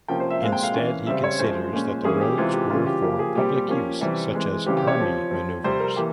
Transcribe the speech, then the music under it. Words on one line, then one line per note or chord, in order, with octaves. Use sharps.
Instead he considers that the roads were for public use such as army manoeuvres.
C3 F3 A#3 C#4 G5
C5
E5
A#2 G#3 C4 F5
G5
F5
E3 A#3 C#4
C#3 G3 C4 E5
C#5
F3 G#3 C#4 C5
A#2 G#3 C#4
E3 G3 A#3 C#4 G#4
G4
C3 E3 G#3 C4 F4
G4
C#3 E3 G3 C#4 F4
G4
C#3 F3 A#3 G4
G#4
A#2 G3 C4 G4
F3 A#3 C#4
C3 E3 G3 C4
E3 G#3 C4
C#3 E3 G3 C4 G4
G4
C#5
F3 C4
F3 C4
C3 G3 C4 C5
A#4
E3 A#3 G4